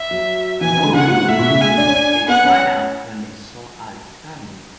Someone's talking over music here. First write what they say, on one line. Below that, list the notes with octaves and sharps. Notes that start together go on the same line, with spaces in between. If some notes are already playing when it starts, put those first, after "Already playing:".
No room!’ they cried out when they saw Alice coming.
Already playing: E5
F#3
E3 G#5
E3
D3
C#3 F#5
G#2
A2 E5
B2
C#3
G#3 G#5
A3
D4
C#4
D4
B3 F#5
C#4